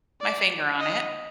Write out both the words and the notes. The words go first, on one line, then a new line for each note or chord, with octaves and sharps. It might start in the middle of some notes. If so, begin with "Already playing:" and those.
my finger on it,
D5
D#5